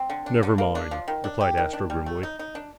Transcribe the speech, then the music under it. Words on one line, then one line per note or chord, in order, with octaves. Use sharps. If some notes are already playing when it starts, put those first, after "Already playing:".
"Never mind," replied Astro grimly.
Already playing: C4
D3
D4
D3
A#3
D4
F3
D#3
D4
G4
D#3
D4
G3
A3
D#4
D#4
D4